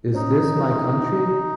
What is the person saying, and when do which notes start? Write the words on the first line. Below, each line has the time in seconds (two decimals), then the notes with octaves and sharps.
Is This My Country?
0.14 C#4 D#4
0.59 E3
1.01 D#3